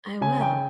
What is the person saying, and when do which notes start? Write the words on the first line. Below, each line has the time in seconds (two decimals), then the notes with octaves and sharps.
I will.
0.21 C#3 G#5
0.41 G5